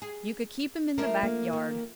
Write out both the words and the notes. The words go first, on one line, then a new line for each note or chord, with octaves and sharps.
You could keep him in the back yard.
G#4
F3 A3 D4 A#4
A#3
D#3